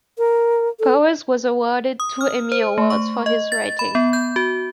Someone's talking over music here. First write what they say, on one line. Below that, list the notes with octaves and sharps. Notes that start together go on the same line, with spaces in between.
Powers was awarded two Emmy Awards for his writing.
A#4
A4
D#6
F6
C5
A3
C#6
D#5
A6
B5
B3
G6
F#4